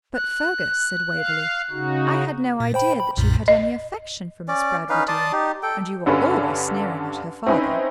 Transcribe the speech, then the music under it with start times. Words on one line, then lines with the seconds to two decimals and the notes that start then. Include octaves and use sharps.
'But, Fergus,' said Waverley, 'I had no idea that you had any affection for Miss Bradwardine, and you are always sneering at her father.'
0.14 F#6
1.15 F5
1.71 C#3 D#4 F#4
2.60 A#2
2.74 C5 G5 B5
3.00 B5
3.17 B1 F#2 A#2
3.48 D#5
4.48 C#4 D5
4.89 C#4 D#4 B4 F5
5.08 D5 A5 C6 D#6
5.32 D#4 G4
5.63 A4 G5
6.06 G2 D3 C#4 A4 B4
7.47 C4 C#4 D#4 E4 B4